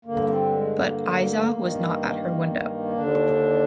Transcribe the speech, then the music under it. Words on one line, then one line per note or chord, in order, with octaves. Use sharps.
But Aizah was not at her window.
G2 D3 A#3
C4
A#3
G#3
A#3
G2 D#3
D#2 D3 D4